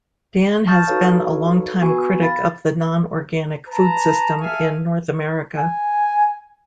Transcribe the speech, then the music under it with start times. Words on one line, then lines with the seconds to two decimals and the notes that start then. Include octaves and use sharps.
Dan has been a longtime critic of the non-organic food system in North America.
0.67 A5 C#6 D#6 F6 G6 A6
0.87 D#4 F#4 A4 B4 C#5 F5
1.81 B3 F#4 B4 G#5
2.22 F5 B5 A6
3.68 B4 A5 A#5
4.40 G#4 A4 E5 F5 G#5
5.58 G#5